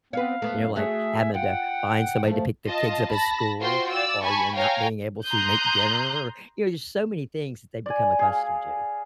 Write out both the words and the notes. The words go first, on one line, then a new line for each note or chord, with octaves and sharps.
You know, like, having to find somebody to pick their kids up at school or you're not being able to make dinner, you know, there's so many things that they've become accustomed to.
B3 C4 B4 C#5 F5
F#2 A3 B3
A3 F#4 G#4 C#5 E5
F4 F#5 G5
F3 A3
F4 D#5 A5
A5 B5 A#6
F4 F#4 C5 G5 C6
D5 E6
G#5 A5 B5 C#6
C#5 F5 G5 G#5 A#5
A#5 C6 D#6 F#6 G6
D5 G#5
G#4 F5